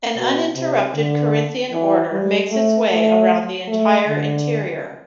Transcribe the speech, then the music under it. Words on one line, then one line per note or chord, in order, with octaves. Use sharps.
An uninterrupted Corinthian order makes its way around the entire interior.
B2
C3
D3
E3
G3
A3
A3
A3
D3